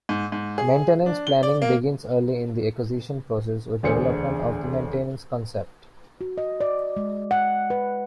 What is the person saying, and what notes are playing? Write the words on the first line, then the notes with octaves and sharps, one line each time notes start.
Maintenance planning begins early in the acquisition process with development of the maintenance concept.
G#2
G#2
G#4
D4
G7
D5
A#3
E1 D2 D4 G#4 C5 C#7
F#4
D#5
D5
G#3
F#5
B4